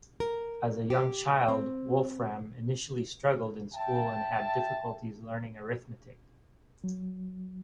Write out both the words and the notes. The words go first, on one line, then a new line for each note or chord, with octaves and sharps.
As a young child, Wolfram initially struggled in school and had difficulties learning arithmetic.
A#4
G4
C4
E5 G5 A5
F#3